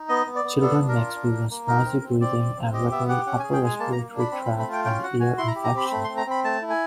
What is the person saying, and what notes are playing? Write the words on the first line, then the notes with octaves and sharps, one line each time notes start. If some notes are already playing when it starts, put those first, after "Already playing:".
Children may experience noisy breathing and recurring upper respiratory tract and ear infections.
Already playing: D#4
B3 D#5
B3
D5
B3
D4 A4
D4
A#4
F4
D4
A#3
A#3
D#4 A#4
C4
C4
C4 D5
C4
C4
G4 D#5
B3 E5
G4 F#5
C#4 F#5
G#4 G#5
G5
G#3 G#5
A#3 A5
A#5
A#3
D4
B5
C4 B5
B5
A3
B5
F4 G5
C#4 G5
F#4 F#5
F#4 G#5
E4 C6
A#5
G4 B5
A#5
C4 B5
A3 B5
C6
C4
A#5
C4 B5
A3 A5
E4
G#5